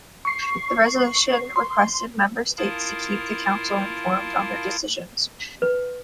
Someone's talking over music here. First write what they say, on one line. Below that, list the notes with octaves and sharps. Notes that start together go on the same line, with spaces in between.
The Resolution requested Member States to keep the Council informed on their decisions.
C#6 C7
C6
E4 F4 A#4 F5 A5 D#6
B4